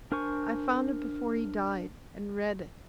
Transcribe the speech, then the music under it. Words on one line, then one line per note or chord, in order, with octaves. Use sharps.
I found it before he died--and read it.
D4 A#4 C5 G#5 C#6